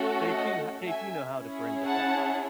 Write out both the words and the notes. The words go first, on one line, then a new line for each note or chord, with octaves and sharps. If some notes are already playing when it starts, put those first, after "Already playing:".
They do h they do know how to bring the tech.
Already playing: A3 C#4 F#4 A4
D#5 F#5
E5 G#5
C#4 E4 G#4
F#5 A5